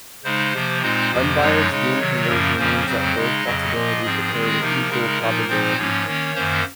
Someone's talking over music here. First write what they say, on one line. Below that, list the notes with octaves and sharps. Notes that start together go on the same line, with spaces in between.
Unbiased gene conversion means that both possibilities occur with equal probability.
C#3 G#3 D#4 C5
C3 F3 A#3
A#2 G#3 C4 D#4 C5
F2 C3 F3 A#3
F#2 F3 G#3 D#4 C#5
C#3 G#3 D#4
C3 D#3 F#3
F#2 C#3 F3 A#3 C#4 A#4
F2 C#3 F3 A#3 C#4 C5
F2 C#3 F#3 C4
C#3 G#3 D#4 D#5
F2 C#3 F#3
A#2 F3 A#3
G#2 F3 C4 G#4
D#3 G#3 C4
C3 F3 A#3 D#4 A#4
C#3 G#3 D#4
A#2 F3 A#3 D#4
A#2 F3 C4 D#4 C5
G#2 F3 A#3 C#4 C#5
D#3 A#3 C#4
F#2 D#3 A#3 C#4 C5